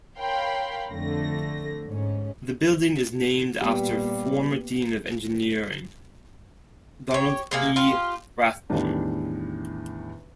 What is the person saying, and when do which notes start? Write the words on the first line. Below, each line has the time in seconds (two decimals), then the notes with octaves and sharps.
The building is named after former dean of Engineering, Donald E. Rathbone.
0.18 A#4 C#5 F5 G5 B5 C6
0.89 F2 D3 A3 A#6
1.87 G#2 C#4
3.61 A#2 G3 B3 G4
7.11 G4 C#5
7.51 C3 A#3 G#4
7.76 F4 G4
8.70 E2 A2 D#3 G3 D4